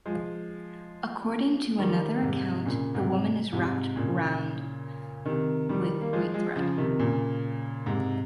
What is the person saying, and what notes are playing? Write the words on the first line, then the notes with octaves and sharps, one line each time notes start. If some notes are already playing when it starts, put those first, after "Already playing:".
According to another account, the woman is wrapped round with white thread.
F3 G#3
D#3 G3
G#2 C3
A#2 C#3
G#2 C3
G#2 C3
A#2 C#3
C3 D#3
D#3 G3
A#3
F3 G#3
F3 G#3
C#3 F3
C3 D#3
A#2 C#3
G#2 C3